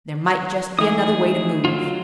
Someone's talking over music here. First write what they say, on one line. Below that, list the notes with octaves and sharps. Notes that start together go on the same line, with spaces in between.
There might just be another way to move.
E3 A3 D#4 G#4 D#6
F#3 F4